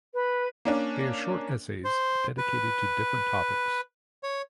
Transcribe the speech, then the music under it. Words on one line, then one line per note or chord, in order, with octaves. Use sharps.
They are short essays dedicated to different topics.
B4
A#3 C#4 D4
C5
B4
C#5